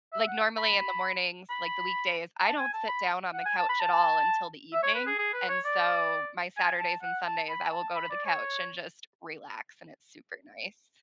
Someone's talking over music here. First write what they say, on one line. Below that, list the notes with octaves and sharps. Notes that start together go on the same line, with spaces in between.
like, normally in the mornings, like, the weekdays, I don't sit down on the couch at all until the evening. And so, my Saturdays and Sundays, I will go to the couch and just relax and it's super nice.
E5
F#5
B5
B5
A5
G#5
A5
B5
F#5
G#5
A5
B5
A5
E5
C#5
B4
G#4
G#4
B4
C#5
D5
G#5
A5
F#5
A5
B5
A5
B5
D5
C#5